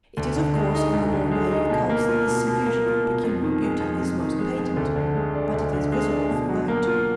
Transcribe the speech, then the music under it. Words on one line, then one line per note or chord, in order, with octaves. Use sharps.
It is of course in the more naive cults that this suffusion of pecuniary beauty is most patent, but it is visible throughout.
D2
D3
G#3
D#4
D2
D3
G#3
D#4
B2
A#3
F4
B2
B2
A#3
F4
B2
F2
D#3
G#3
F2
F2
D#3
G#3
F2
D2
D3
G#3
D4
D2
D3
G#3
D4
B2
F#3
A#3
F4